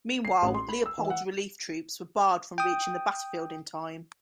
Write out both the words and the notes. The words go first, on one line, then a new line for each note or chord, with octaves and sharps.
Meanwhile, Leopold's relief troops were barred from reaching the battlefield in time.
C7
A1
C6
B5
E6
E3
F#5
G5 D#6